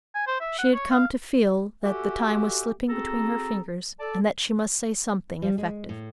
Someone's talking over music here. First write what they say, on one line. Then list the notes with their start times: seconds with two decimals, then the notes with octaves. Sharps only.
She had come to feel that the time was slipping between her fingers and that she must say something effective.
0.15 G#5
0.27 C5
0.40 E5
0.58 F#5
0.74 C#5
0.91 F5
1.83 F#4 G4 A4 E5 F#5 G#5
2.89 C4 F#4 G#4 A4 A#5
4.00 A4 D5 A5
5.42 G3
5.58 G#3
5.89 A2